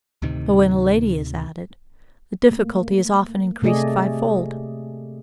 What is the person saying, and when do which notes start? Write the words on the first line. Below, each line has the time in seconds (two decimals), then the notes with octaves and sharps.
But when a lady is added, the difficulty is often increased fivefold.
0.22 D2 A2 C3 D#3
2.51 A3 A#3
3.62 C3 A3 G#4 D5 D#5